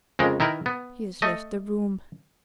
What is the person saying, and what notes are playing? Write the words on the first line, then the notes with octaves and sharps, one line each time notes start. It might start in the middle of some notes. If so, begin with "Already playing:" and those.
He has left the room.
F2 C#3 G#3 A#4
D#3 E4 A#4 B4
B3
A3 D#5